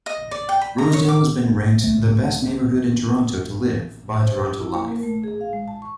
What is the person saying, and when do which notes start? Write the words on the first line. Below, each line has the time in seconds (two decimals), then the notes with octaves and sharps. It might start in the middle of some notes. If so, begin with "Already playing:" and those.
Rosedale has been ranked the best neighbourhood in Toronto to live by "Toronto Life".
0.06 D#5
0.31 D5
0.49 G5
0.61 B5
0.78 A#5
0.93 C#5
1.08 D6
1.84 C#2 A3
4.20 C5
4.32 G4
4.45 D6
4.59 E4
4.74 A#3
4.90 A#4
5.03 A3
5.24 G#4
5.41 F5
5.53 G#3
5.68 A5
5.82 C#6